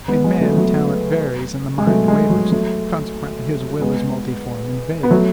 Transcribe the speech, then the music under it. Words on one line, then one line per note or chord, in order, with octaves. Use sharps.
In man, talent varies, and the mind wavers; consequently, his will is multiform and vague.
G#3 B3
G#3
F#3 A3
B3
F#3 A3
G#3
F#3 A3
G#3
F#3
F#3 A3
G#3 B3
B3
F#3 A3